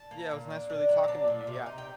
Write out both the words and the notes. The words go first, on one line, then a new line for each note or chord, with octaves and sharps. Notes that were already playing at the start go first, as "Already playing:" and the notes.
Yeah, it was nice really talking to you, yeah.
Already playing: A5
A#3
A#2
D4
D4
F#3
A#5
D4 A5
A#2
C3
D#4
G5